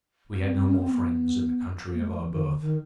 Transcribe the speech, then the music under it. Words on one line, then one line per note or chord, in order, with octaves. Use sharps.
We had no more friends in the country of our birth.
C4
C4
C#4
C4
B3
A#3
G#3
A3
E3
D#3
D3
D#3